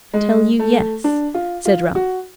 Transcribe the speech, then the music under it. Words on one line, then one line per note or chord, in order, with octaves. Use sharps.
I tell you yes,' said Ralph.
G#3
A3
D4
F4
F4
F#4